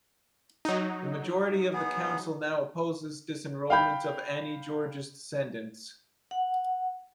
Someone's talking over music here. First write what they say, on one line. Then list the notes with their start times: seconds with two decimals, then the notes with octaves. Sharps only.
The majority of the council now opposes disenrollment of Annie George's descendants.
0.65 F#3 D#4
1.73 B3 G#4
3.70 F5 G5 B5 G6
6.31 F#5